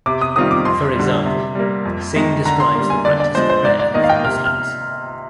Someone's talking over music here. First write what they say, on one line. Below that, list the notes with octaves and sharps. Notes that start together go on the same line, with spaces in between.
For example, Singh describes the practice of prayer for Muslims.
C3 D6
D#6
D#3 G3 C4 F4 D#6
D6
F2 C6
D3 G3
C3
G3 A#3
F2
D#3 G#3 D#4
D3 A#5
C6
G3 A#3
G#5
D3 D5
D5
F3 G#3 C5
C5
G#2 D5
D5
D#3 A#3 D#5
F5
G5
C3 F6
F6